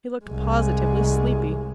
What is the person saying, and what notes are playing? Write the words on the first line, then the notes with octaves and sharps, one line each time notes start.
He looked positively sleepy.
C2 G#3